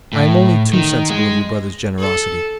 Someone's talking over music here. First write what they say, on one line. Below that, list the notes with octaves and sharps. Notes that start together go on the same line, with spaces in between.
I am only too sensible of your brother's generosity.
A2
D#3
G#3
A4